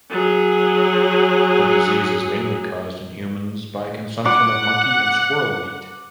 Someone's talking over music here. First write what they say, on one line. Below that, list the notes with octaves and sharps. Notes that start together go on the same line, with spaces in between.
The disease is mainly caused in humans by consumption of monkey and squirrel meat.
F#3 G#4
F#5 D6